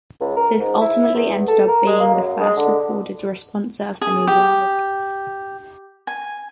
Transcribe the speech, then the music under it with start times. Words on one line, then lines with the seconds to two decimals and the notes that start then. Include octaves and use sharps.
This ultimately ended up being the first recorded responsa of the New World.
0.21 C#2
0.36 A#4
0.59 G#2
0.81 E4
1.14 E2
1.48 A4
1.68 A#4
1.87 G#3
2.00 A#3
2.14 F#2
2.40 G#3
2.56 D3
4.01 G#4
4.27 G4
6.07 G#5